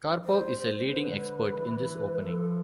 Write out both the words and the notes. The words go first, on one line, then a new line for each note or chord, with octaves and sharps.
Karpov is a leading expert in this opening.
C5
C5
D3 B4
E3
F3 A4